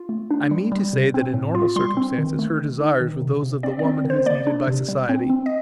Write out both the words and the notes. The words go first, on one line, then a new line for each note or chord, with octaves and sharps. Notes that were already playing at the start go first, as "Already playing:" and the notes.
I mean to say that in normal circumstances her desires were those of the woman who is needed by society.
Already playing: F4
A3
D4
G3
G3
C3
C4
A2
F4
G3 C6
C4
D#3
A3
D#3
D#4
D#3
C3
C3
C4 D5
D5
C4
D#3
C5
A#3 D5
D4
C3
G3
C4
C4
D#5